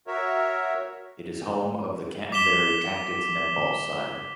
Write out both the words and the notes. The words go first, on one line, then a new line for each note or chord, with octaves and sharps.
It is home of the Canterbury Tactix netball side.
F#4 A#4 C#5 E5
D6 B6 E7 G7